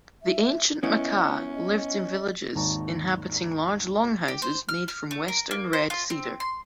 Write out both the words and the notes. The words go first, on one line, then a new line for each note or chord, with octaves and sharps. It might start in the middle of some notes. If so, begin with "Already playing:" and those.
The ancient Makah lived in villages, inhabiting large longhouses made from western red cedar.
E5
B3 C#4 E4 D#5
C#4
D#5
G#1 D#2 D#4 A5 A#5 C#6
G4
C5
F6
F6
A3
A#4
A#3
C5
F4
C4
C6